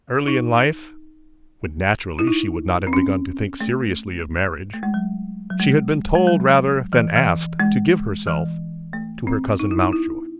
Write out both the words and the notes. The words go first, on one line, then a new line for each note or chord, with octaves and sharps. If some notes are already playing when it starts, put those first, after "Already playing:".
Early in life, when naturally she would not have begun to think seriously of marriage, she had been told rather than asked to give herself to her cousin Mountjoy.
D#4
E4
D#4
C4
C#4
A3
A3
G#3
F#3
F#3
G#3
G#3
F#3
E3
E3
G#3
E3
A3
C4
D#4
E4
D#4
E4